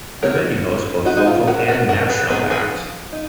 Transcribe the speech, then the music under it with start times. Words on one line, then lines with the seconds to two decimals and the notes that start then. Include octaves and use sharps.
The venue hosts both local and national acts.
0.23 F#3 A#4 C#5
0.65 C#4
1.05 F#3 D#4 F#4
1.17 D#4
1.27 F4
1.47 C#4 F#4 A#4
1.68 F#4 A#4
1.88 F3 F#4 A#4
2.10 G#4 B4
2.30 B3 G#4 B4
2.33 D#4
2.50 G#4 B4
2.72 F3
3.12 D#4